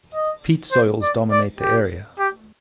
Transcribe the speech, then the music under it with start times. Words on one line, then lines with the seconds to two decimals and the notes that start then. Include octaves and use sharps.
Peat soils dominate the area.
0.14 D#5
0.72 C5
1.02 D5
1.31 D5
1.60 G4
2.19 G4